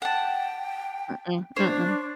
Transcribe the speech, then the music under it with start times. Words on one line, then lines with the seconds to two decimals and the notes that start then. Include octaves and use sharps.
Mm-mm, mm-mm.
0.02 F#5 G5 A5
1.56 D4 C5 C#5